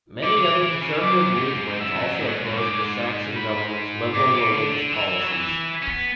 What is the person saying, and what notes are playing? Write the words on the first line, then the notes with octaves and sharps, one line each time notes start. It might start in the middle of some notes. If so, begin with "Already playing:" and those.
Many other conservative Lutherans also opposed the Saxon government's liberal religious policies.
D3 D6
D3
E3
E3
C#3
F#2 D6
A2
G#2
F#2 E6
F#2
G#2
D6
B5
A2 D6
B2
D3
D3
E3 E6
F#3
E3
C#4
B3